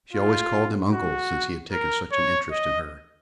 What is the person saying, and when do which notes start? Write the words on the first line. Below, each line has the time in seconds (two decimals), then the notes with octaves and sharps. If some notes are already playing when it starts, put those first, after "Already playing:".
She always called him uncle, since he had taken such an interest in her.
0.13 F4
0.92 F#4
1.72 A#4
2.12 C#5
2.51 D#5